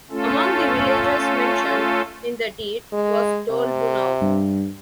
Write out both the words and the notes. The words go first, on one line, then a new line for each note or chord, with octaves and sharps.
Among the villages mentioned in the deed was "Dolbunov".
A3 C#4 F4 A4
G#3
C3
G2